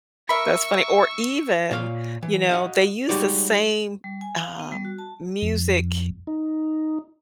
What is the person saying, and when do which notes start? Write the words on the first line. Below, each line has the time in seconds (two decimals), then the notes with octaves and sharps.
That's funny, or even, you know, they use the same, um, music
0.29 A#4 E5 B5 C#6 E6
1.71 A#2 F4 C#5 F5
2.23 E3
2.49 F#4 D#5 F5
3.09 G3 G#3 D#4 F#4 C#5 D5
4.04 G3
4.21 G#5
4.41 F5
4.59 B3
4.72 G3
4.85 F#4
4.98 A5
5.42 F2
6.27 D#4